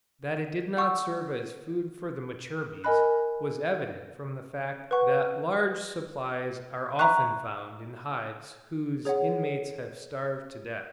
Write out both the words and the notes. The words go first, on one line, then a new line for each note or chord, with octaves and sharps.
That it did not serve as food for the mature bees, was evident from the fact that large supplies are often found in hives whose inmates have starved to death.
F#5 C#6 E6
A#4 D#5 G#5 B5 F#6
B4 F#5 C#6
E5 A#5 C#6 F#6
G#4 C#5 F#5